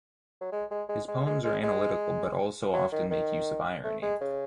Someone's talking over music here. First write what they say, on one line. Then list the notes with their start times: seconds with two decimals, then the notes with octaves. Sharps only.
His poems are analytical but also often make use of irony.
0.41 F#3
0.52 G#3
0.71 G#3
0.89 G#3
1.08 G#3
1.26 G#3
1.45 G#3
1.63 G#3
2.74 F#3
2.92 D#3
3.10 D#3
3.84 A3
4.02 G#3
4.21 C#3